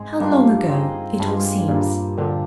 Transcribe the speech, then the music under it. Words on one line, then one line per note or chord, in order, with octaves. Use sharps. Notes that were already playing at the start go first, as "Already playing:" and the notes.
How long ago it all seems.
Already playing: G#2 G#3 C4 G#4
G2 A#3 D4 F4
C4 D#4 G#4 D#5
G2 G#3 D4 F4
G2 A#2 G3 A#3 D4
A#2 D3 F3 G#3 D4 G4